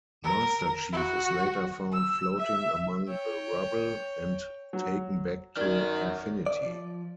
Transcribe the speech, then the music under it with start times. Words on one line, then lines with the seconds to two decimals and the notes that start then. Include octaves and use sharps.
Master Chief is later found floating among the rubble, and taken back to "Infinity".
0.24 A#4
0.93 F#4
1.92 E6
2.38 E5
3.08 C#5 G5
4.73 F#3
5.57 F#2 D#3 A#4 D5 F6 G#6
6.46 D5
6.66 F3